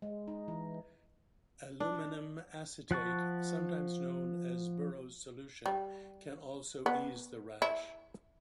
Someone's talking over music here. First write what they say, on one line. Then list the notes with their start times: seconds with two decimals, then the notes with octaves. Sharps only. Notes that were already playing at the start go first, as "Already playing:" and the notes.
Aluminium acetate, sometimes known as Burow's solution, can also ease the rash.
0.02 G#3
0.28 D#4
0.48 E3
1.80 D4
2.91 F3 F#5 A5 C#6
5.66 G3
6.86 B3
7.62 E4